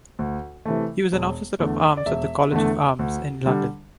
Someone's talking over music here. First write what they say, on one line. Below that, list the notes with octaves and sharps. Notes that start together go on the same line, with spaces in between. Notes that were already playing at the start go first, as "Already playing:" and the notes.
He was an officer of arms at the College of Arms, in London.
D2
C3 E3 A3
E1
E2 D3 A3
D5
E1 E5
E2 D3 A3
D2
D3 G3